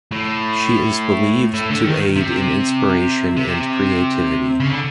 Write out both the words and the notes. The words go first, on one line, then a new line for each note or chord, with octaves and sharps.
She is believed to aid in inspiration and creativity.
A2
A2
D3
D#3
C3
C3
C#3
D3